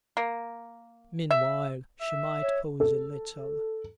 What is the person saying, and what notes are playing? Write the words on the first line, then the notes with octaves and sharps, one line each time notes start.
Meanwhile she might pause a little.
A#3
E5
E5
C#5
A4